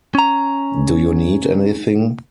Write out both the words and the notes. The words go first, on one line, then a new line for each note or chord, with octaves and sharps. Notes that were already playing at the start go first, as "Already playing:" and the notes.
Do you need anything?
C#4 A#5